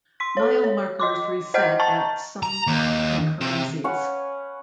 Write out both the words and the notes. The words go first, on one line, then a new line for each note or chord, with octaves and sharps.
Mile markers reset at some concurrencies.
C6 B6
A4 C#5
C#5
D#5 C6 D6
C5 D#5 F#5 F6 G6
A5 A#5 C#6 A6
A#5
D#2
C3
C#4 B4 C#5 F#5